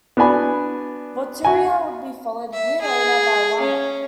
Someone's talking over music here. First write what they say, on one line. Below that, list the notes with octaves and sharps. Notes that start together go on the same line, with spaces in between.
"Vortura" would be followed a year later by "Wammo".
B3 D4 F#4 G#5 B5
F#4 G#5
E5
G#4
C#4